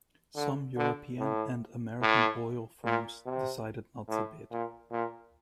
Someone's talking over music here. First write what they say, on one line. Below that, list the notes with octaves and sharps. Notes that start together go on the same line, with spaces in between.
Some European and American oil firms decided not to bid.
D3
D3
A2
A2
A#2
C3
A2
A#2
A#2